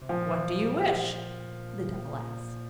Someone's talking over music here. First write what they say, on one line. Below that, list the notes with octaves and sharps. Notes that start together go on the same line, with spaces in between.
"What do you wish?" the devil asked.
C3
A#2 F3